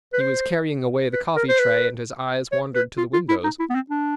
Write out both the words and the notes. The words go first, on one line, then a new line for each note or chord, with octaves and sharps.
He was carrying away the coffee tray and his eyes wandered to the windows.
B4
C5
B4
A#4
C5
B4
C#5
B4
F4
F4
E4
D#4
E4
B3
C4
D4